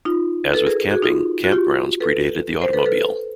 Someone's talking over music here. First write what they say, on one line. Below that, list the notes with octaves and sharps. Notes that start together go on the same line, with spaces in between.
As with camping, campgrounds predated the automobile.
D#4 F4
A4 B4
G#4 A#4
F#4 G#4
D#4 F4
F#4
F4 G4
A4 B4
A#4 C5
A4 B4
A4 B4